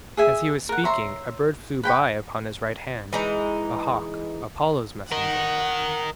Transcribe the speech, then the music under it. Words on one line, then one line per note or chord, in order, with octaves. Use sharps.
As he was speaking a bird flew by upon his right hand--a hawk, Apollo's messenger.
G#4 E5 G#5
A#4 F#5
C#5 E5 A#5 C6
B4 G5 B5
E3 G#3 D#4
A#4 D#5 F#5